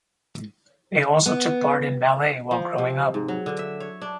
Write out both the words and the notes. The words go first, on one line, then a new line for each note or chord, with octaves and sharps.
They also took part in ballet while growing up.
B3
F3
C3
G#2
F#3
D3
E5
C#5
D4